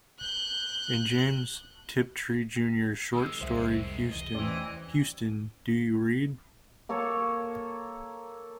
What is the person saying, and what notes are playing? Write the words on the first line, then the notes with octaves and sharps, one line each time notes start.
In James Tiptree Junior's short story Houston, Houston, Do You Read?
F#6 G6
D#3 G#3 D#6 E6
C2 F2 G3 C5 E5
C#2 C#3 E3 D#5
E2 C3 E3 A3 C#4 D5
A#3 A4 C#5